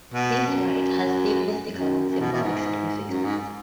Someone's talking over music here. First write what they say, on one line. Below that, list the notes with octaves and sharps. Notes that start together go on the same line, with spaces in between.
This rite has deep mystical and symbolic significance.
B2
F#2
F#2
F#2
B2
B2
G#2
F#2
G#2